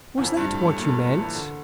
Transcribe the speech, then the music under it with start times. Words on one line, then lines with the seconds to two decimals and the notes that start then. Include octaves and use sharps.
"Was that what you meant?"
0.18 E2
0.24 F2
0.37 G2
0.51 A2
0.65 A2
0.78 A#2
1.06 E3
1.20 E3
1.33 D3